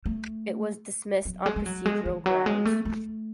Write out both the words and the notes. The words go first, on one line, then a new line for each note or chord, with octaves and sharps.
It was dismissed on procedural grounds.
A3
F#3
G#3
G#3
F#3
G#3
E3
F#3
G#3
A3
A3